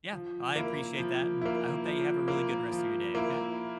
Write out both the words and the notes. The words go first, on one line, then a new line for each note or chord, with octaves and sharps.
Yeah, I appreciate that, and I hope that you have a really good rest of your day, okay?
F3
A#3 E4
F3
A#3 E4
F3
A#3 E4
F3
A#3 E4